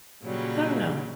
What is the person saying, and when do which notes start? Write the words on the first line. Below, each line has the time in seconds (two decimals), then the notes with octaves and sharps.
I don't know.
0.23 A#2 C#3 F#3 G3